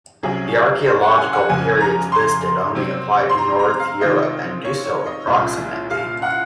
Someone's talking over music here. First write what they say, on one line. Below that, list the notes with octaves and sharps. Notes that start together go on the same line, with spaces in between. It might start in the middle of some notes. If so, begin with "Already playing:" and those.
The archaeological periods listed only apply to north Europe, and do so approximately.
C2 C3 F#3 C#4 G#4
A#4
C5
F#5
G#5
F#5
F2 C#3 G#3 G#5
A#5
C6
C3 F#3 C4
C6
A#5
A#5
F5
C3 D#3 G#3 C4 F4 D#5
C#5
C#5
D#5
C2 A#2 G#3 C#4 F4
F5
F#5